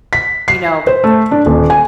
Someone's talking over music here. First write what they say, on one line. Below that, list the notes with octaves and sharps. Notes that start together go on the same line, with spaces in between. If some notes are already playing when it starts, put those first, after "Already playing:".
you know,
B6
C7
C5
A3
D4
D#1
G#5